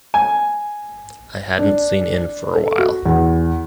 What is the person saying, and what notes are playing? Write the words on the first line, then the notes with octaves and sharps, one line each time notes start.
I hadn’t seen in for a while.
G#5
D4
A4
F#4
E2